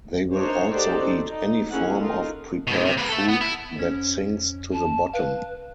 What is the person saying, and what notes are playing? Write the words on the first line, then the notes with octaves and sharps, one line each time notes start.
They will also eat any form of prepared food that sinks to the bottom.
D4 D#4 A#4 C5 C#5
D#4 F#4 G4 A4 C5 D5
D#4
A#3 C#4 D#4 E4 G#4 F#5
D#4 F4 A4 A#4
G#2 B2
C3
A#3 B4
A4 E5
B3
E4
F2 C#4
A5
B4 F5